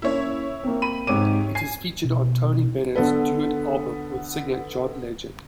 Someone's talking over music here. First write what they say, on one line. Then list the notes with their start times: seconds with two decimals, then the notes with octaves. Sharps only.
It is featured on Tony Bennett's Duet album with singer John Legend.
0.02 A#3 C#4 E4 C#5
0.63 A#3 C4
0.82 B5 D#7
1.07 G#2 C3 C4 C#5 D6 D#7
1.55 G#5 C7
2.04 B2
2.95 D3 B3 A4 B4